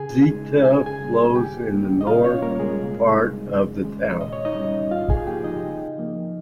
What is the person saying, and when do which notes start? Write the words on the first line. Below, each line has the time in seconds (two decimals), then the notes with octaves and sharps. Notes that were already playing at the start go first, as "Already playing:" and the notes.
Ziethe flows in the north part of the town.
Already playing: C#3 G#4 G#5
0.28 G#3 D#4
0.65 C#3 G#5
0.86 G#4 G#5
1.00 G3 A#3
1.36 D#3 G4 G5
1.71 G3 A#3 C#4
2.01 D#5
2.07 A#2 F4 F5
2.24 C#4 C#5
2.42 G3 A#3 A#4
2.60 G#3 G#4
2.78 C3
3.14 G3 C4 D#4
3.49 D#3
3.85 G#3 C#4
4.20 A#2 D#5
4.33 C#5
4.45 D#4 D#5
4.55 G3 C#4
4.91 G#2 F4 F5
5.10 G#4 G#5
5.27 F3 A#3 D#4 G4 G5
5.44 D#4 D#5
5.63 C#3
5.98 F3 A#3